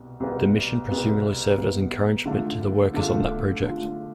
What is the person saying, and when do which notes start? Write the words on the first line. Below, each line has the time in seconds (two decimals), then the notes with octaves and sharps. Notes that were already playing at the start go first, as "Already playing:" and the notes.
The mission presumably served as encouragement to the workers on that project.
Already playing: C2 B2 B3
0.20 C2 B2 B3
0.88 C2 B2 B3
1.58 C2 B2 B3
2.26 D3 A3 D4 F4
2.94 D3 A3 D4 F4
3.63 D3 A3 D4 F4